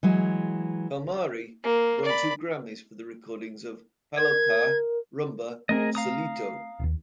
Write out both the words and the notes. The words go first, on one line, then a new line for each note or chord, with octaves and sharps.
Palmieri won two Grammys for the recordings of "Palo Pa' Rumba" and "Solito".
E3 F#3 G#3
A#3
D5 B5
A#4 G#6
A3 B3 C4 G#4 A#4 D#5
F5 A#5 D#6
D1 D#2